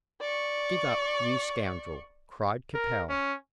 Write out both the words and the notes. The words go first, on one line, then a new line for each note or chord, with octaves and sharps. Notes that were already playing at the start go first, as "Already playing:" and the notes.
"Give up, you scoundrel!" cried Capel.
D5 C#6
A#4
C#4